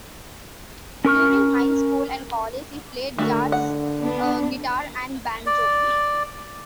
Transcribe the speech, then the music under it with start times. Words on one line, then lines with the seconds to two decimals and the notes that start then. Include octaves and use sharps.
During high school and college, he played jazz guitar and banjo.
1.05 C#4 A#4 C#6 F6
3.18 D3 A3 F#4 A#4
3.52 F#5
4.00 B3 D4
5.46 D5